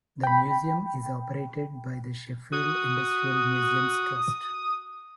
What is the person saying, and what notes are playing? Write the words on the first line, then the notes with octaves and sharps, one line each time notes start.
The museum is operated by the Sheffield Industrial Museums Trust.
G5 B5
F#4 D#6